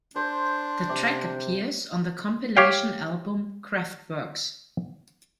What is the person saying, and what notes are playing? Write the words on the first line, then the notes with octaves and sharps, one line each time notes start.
The track appears on the compilation album "Kraftworks".
D4 C5
C3 D6
G4 C#5 F5 G5